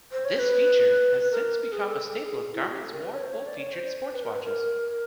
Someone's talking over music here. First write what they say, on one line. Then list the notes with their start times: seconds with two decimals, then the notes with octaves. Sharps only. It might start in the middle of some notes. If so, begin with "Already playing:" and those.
This feature has since become a staple of Garmin's more full-featured sport watches.
0.12 C5
0.25 C#5
0.39 B4
1.32 A#4
1.72 G#4
1.86 A4
2.12 A4
2.26 G#4
2.53 E4
2.62 F#4
2.73 G4
2.83 A4
2.93 A#4
3.03 B4
3.13 C#5
3.24 C5
3.33 C#5
3.47 D5
3.59 C#5
3.73 C5
4.13 B4
4.23 A#4
4.34 B4
4.43 A#4